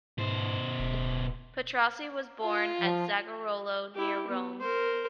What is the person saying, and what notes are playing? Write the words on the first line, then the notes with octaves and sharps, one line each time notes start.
Petrassi was born at Zagarolo, near Rome.
G#2 B2 C5
D1
F4
F3
E4 G4
B3
A#4 C5